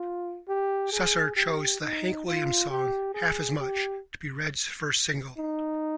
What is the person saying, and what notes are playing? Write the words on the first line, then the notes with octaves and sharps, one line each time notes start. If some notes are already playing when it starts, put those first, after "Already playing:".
Susser chose the Hank Williams song "Half As Much" to be Redd's first single.
Already playing: F4
G4
G#4
G4
D#4
F4
G4
G#4
G4
D#4